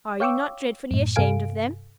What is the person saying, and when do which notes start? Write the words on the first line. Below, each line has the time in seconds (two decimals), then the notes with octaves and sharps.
"Are you not dreadfully ashamed of them?"
0.20 C#5 F5 G5 C#6 D6 E6
0.91 F#2 A2
1.16 G2 C3 A4 F5 G#5 D7